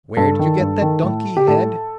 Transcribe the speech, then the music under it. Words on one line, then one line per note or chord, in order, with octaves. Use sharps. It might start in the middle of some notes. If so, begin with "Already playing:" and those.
Where did you get that donkey head?
G2 A4
D#3
G2
D#3
A2
G4
A2 A4